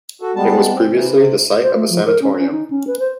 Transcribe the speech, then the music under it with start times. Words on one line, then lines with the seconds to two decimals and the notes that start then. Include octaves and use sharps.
It was previously the site of a sanatorium.
0.21 F#4 A4
0.36 G3 G#3 B3 A5
0.74 C4
0.93 C3 E3
1.15 C3
1.62 C5
1.75 A3
1.90 F3
2.05 A#4
2.22 C#4
2.39 C#4
2.51 D#4
2.70 C#4
2.87 B4
2.99 C5